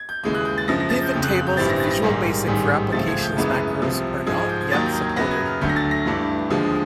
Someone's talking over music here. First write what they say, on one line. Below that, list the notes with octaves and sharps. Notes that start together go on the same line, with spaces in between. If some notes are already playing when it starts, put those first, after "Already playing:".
Pivot tables and Visual Basic for Applications macros are not yet supported.
Already playing: G#6
G6
D#2 C#3 E3 G#3 G6
F#6
G6
A6
F#2 C#3 F3 A#6
A#6
A6
G6
F#1 F2 C#3 G6
F#6
F#6
G6
A1 G2 E3 G3 C4 A6
A#6
A6
A#6
A#1 G#2 D#3 G3 A#3
A1 G#2 D#3 G3
C#2 C#3 F3 A3 C4 A6
G#6
G6
F#2 C#3 E3 G#3 B3
C2 C3 F3
G#2 F3 G#3 G#6
G#6
G6
G#6
D#2 D#3 F#3 A#3 A6
G6
G#6
F#2 C#3 F#3 B3 A#6
G#6
F6
D2 D3 F#3 A3 G6
A#6
A6
A#6
G2 E3 A3 D4
D#2 D3 F3 G#3